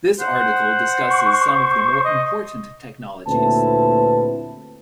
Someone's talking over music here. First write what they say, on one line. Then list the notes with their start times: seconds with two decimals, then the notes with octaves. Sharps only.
This article discusses some of the more important technologies.
0.20 C5 F#5
1.09 C#6
2.05 D#5
3.27 D2 A#2 C4 E4 B4 A5